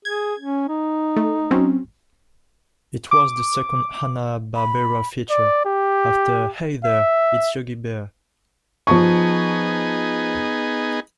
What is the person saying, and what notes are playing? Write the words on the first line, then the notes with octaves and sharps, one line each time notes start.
It was the second Hanna-Barbera feature, after Hey There, It's Yogi Bear!
G#4 G#6
C#4
D#4
A3
F#3 C4 C#4
D6
B5
D5
G4
E5
F3 B3 D#4 G#4 A5 C#6